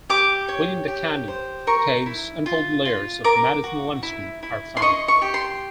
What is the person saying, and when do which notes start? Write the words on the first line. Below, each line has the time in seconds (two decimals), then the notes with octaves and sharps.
Within the canyon, caves and folded layers of Madison Limestone are found.
0.10 G4 D6
0.49 C#5
0.88 G4
1.28 C5
1.67 A#4 C#6
2.06 E4
2.46 F4
2.85 F4
3.24 A#4 D6
3.64 F#4
4.03 E4
4.43 E4
4.77 C6
4.82 D#5 C#6
5.08 C#6
5.22 G4
5.34 C6